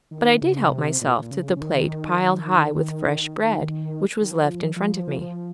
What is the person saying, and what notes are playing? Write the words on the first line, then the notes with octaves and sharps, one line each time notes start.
But I did help myself to the plate piled high with fresh bread which was left in front of me.
D#3
C#3
C3
A#2
C#3
C#3
D#3
D#3
F3
F3
F3